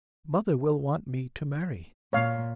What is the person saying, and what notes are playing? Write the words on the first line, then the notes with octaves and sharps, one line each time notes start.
'Mother will want me to marry.'
A#2 C#5 F5